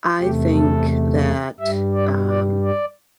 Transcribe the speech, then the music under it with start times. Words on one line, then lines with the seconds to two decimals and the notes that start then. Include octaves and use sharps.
I think that, um
0.20 E2 C3 A3 G4
0.55 A4
1.59 G2 G3 E5
1.94 D5
2.29 D5
2.64 D5